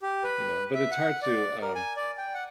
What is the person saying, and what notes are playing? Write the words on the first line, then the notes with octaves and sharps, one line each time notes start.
you know, but it's hard to, um,
G4
B4
E5
F#5
D5
A#4
G#5
D5
G5
F#5